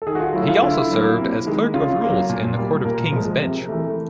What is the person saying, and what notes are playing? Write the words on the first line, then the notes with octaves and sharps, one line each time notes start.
He also served as Clerk of Rules in the Court of King's Bench.
A4
D#3 G#4
F#4
F4
F#3 A3 E4
F4
D3 E4
F#3 A#3
C3
D#3 G#3
C#3 F4
F#3 A#3
A#2
G3 A#3
A#2 A#4
F3 G#3
C3
E3 A3